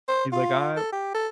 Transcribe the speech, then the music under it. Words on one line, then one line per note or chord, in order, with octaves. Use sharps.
He's like, "I"
C5
F4
A4
G4
A4